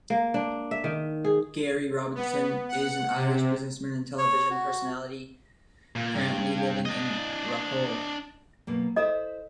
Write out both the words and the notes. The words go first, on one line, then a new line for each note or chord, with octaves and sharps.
Gerry Robinson is an Irish businessman and television personality currently living in Raphoe.
A#3
D4
E5
D#3
G#4
B3
F#5
C3
C#5
F#4
A#2
G2
D4 D#5
B2 F#3 A#3
E4 A4 C5 D#5 E5